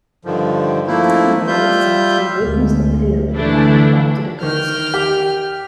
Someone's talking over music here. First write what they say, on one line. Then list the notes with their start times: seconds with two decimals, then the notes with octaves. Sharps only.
The town mayor said he witnessed a pillow ignite after the girl said fire...
0.25 G2 D3 D#3 F3
0.87 F3 A3 A#3 E4
1.47 G3 F4 E5 G6
2.42 D2 G#3
3.34 D3 E3 A3 D4 E4
4.43 D#3 G5 F6
4.94 G4